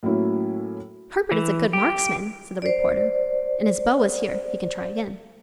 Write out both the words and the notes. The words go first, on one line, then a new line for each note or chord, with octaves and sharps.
"Herbert is a good marksman," said the reporter, "and his bow is here. He can try again."
A2 F#3 A#3 C#4 E4
E3
G4
C5 D5